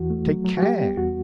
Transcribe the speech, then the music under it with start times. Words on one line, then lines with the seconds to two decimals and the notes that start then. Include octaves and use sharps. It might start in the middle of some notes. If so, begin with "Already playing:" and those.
Take care!
Already playing: E2 E3 F#4
0.10 A3
0.27 F#3
0.45 F#3
0.57 F#4
0.62 G3 G4
0.80 B3
0.97 E2 F#4